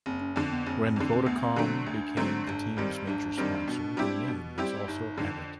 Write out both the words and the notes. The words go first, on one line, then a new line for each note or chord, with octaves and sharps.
When Vodacom became the team's major sponsor their name was also added.
F#1 C4
C#4
F2 D3 C4
B3
F#1 C4
F2 D3
C4
D2 B3
C4
D3 F#3 A3 C4 D4
D4
D2
D3 F#3 A3 C4
G#1
G2 D#3 G3 C4
G#1 D4
G2 D#3 G3 C4
B2
G3 C4 E4 G4
B2
G3 C4 E4 G4
G1 D#4
F2 D3